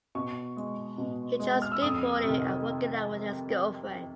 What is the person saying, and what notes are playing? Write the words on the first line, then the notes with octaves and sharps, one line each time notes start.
He enjoys skateboarding and working out with his girlfriend.
B2 C#6
G#3
B2
G#3
F6
E6
F2 D#6
C3
D#3